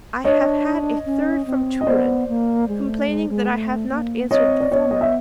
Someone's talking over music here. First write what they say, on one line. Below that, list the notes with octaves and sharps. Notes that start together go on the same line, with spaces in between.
I have had a third from Turin, complaining that I have not answered the former.
D4 C#5 D#5
C#4
C4
D#5
B3 C5 D5
A#3
G#3
A3
G#3
G#3
A3
A#3
C4 C#5 D#5
D5
B3 C#5 D#5
D#5
E5